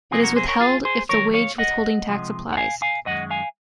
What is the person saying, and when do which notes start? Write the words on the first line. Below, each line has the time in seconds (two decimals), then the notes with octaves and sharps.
It is withheld if the wage withholding tax applies.
0.11 F2 C3 F#3 A#3 F4 G#4
0.23 F#4 A#4
0.36 G#4 C5
0.48 A#4 C#5
0.60 F4 G#4
0.85 G#4 C5
1.09 F2 D#3 F#3 A#3 A#4 C#5
1.34 C#5 F5
1.58 D#5 F#5
2.08 C3 F3 G#3
2.52 F#5
2.57 F5 G#5
2.82 F5 G#5
3.06 F#2 D#3 G#3 D#5 F#5
3.30 F5 G#5